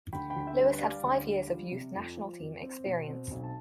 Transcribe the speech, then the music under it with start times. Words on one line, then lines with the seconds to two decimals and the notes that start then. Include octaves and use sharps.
Lewis had five years of youth national team experience.
0.12 D2 G5 B5
0.30 G5 B5
0.36 D2
0.47 E5 G5
0.58 G3
0.64 B4
0.81 G3 D5 F5
1.03 D2
1.26 G3
1.49 F3
1.72 C3
1.95 F2
2.17 F3
2.40 F2
2.63 C4
2.86 B2
3.08 C4
3.31 B1
3.44 A5